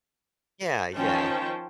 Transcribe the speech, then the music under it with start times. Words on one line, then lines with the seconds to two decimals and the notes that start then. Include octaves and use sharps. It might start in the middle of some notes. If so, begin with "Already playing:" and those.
Yeah. Yeah.
0.95 D#3 F3 C#4 C5 G5 A5